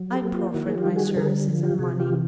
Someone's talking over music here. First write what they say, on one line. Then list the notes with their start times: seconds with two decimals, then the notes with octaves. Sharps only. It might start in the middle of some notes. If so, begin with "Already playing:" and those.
I proffered my services and money.
Already playing: F#3
0.12 G4 A4
0.23 A#3
0.33 F4 G4
0.54 D#3 E4 F#4
0.67 G#4
0.75 F4 G4
0.85 G3
0.96 F#4 G#4
1.16 D3 G#4 A#4
1.48 F3
1.63 F4 G4
1.79 C3 F#4 G#4
2.00 F4 G4
2.10 E3